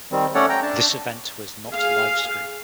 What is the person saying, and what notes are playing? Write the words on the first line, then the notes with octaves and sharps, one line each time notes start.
This event was not livestreamed.
D#3 G3 C4
A3 C#4 A4 C#5 D5 F#5
G5 A#5
D4 A5
G#4 F5